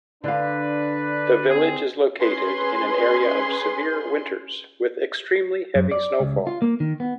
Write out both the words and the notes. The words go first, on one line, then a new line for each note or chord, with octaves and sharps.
The village is located in an area of severe winters with extremely heavy snowfall.
D3 D4 B4 F5
C4 G#4
C#4 G#4 B4 C6
F#2
D5
C#2
F4
A#3
D#3
B3